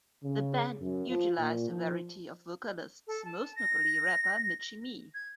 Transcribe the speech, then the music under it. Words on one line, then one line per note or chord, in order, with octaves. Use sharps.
The band utilized a variety of vocalists, most notably rapper Michie Mee.
C#3
F#2
F3
A#2
F3
A4
A5
A#6
G#6